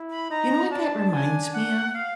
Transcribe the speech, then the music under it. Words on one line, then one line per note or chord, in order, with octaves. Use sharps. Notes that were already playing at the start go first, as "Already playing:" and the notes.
You know what that reminds me of?
Already playing: E4
B5
D#4 A#5
D4 A5
G#5
F#5
F5